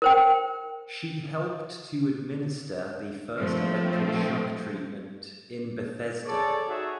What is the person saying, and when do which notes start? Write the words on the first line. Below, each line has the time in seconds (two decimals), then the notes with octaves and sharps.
She helped to administer the first electric shock treatment in Bethesda.
0.02 A#4 C5 G5
3.36 G2 A#2 F3 A3 C4
6.25 G#4 A4 C#5 D5
6.68 D#4 F#4 G#4 C#5 E5